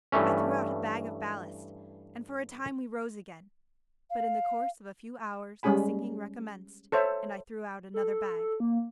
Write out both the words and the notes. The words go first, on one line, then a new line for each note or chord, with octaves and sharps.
I threw out a bag of ballast, and for a time we rose again, but in the course of a few hours the sinking recommenced, and I threw out another bag.
G2 E3 A3 C#4
F5
G3 G#3 C#4 G#4 G#5 B5
A4 C5 C#5 E5
A4
A#3